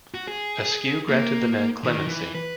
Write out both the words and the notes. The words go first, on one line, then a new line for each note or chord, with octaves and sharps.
Askew granted the men clemency.
F#4
G#4
A#3
D#3
E3
B4